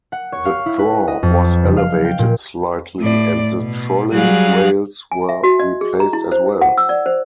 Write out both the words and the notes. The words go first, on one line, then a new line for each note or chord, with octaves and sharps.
The draw was elevated slightly and the trolley rails were replaced as well.
F#5
C#5
F5
E4
B4
D#5
F2
F#1
F5
G5
A#2
A2 D5
B2
F#3 G3 F#4 G#4 F5 F#6
G#5
E5
F#4
D#5
G#4
A#5
E4
C5
F#5
E6
D5
C5